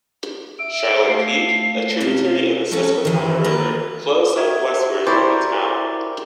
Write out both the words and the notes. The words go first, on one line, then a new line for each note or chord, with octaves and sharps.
Charlotte Creek, a tributary of the Susquehanna River flows southwestward from the town.
E5 E6 D7
A3 F5 C7
C3 G#3 C#4 A5
C#4 F#4 A4 C#5 A5
D#3 E3 E4
A#3 B4
F#4 E5 G#6
E4 G4 A#4 C5 D5 C#6